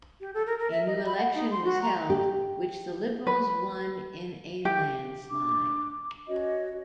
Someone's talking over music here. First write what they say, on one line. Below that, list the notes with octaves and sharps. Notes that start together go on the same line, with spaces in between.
A new election was held, which the Liberals won in a landslide.
G4
A4
A#4
A#4
E5
D#5
B5
F#5
D#4
C6
F#4
A#5
G4
B4
G4
D4 D6
C#4 F#4 C#5 D#5